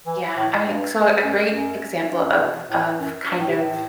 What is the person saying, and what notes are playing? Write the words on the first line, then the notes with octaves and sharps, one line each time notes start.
Yeah. I mean, c so a great example of of kind of
E3
A2
G2
F#2
F#2
G2
F#2
G2
B2
A2
F#2
G2
A2
C3
A2